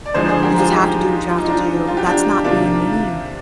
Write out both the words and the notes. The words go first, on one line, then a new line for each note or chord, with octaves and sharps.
You just have to do what you have to do. That's not being mean.
D5
D3 F3 G#3 G#4 C5
G#4 C5
G4 A#4
F4 G#4
D#4 G4
F4
D#4
D4 F4
F4
G4
D4 F4
C3 D#3 A#3 D4 F4